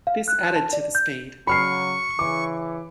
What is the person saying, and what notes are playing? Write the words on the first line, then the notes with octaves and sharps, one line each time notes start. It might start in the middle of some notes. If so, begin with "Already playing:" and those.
This added to the speed.
F5
F#6
A5
D5
G6
C#3 F#3 B5 C#6 F6 C7
C#3 E3 D6